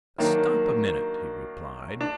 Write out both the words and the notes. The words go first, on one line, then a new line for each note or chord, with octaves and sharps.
"Stop a minute!" he replied.
D#3 F#3 A#3 D4
D4